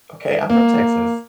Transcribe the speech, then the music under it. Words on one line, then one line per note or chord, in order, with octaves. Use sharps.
Okay, I'm from Texas.
A#3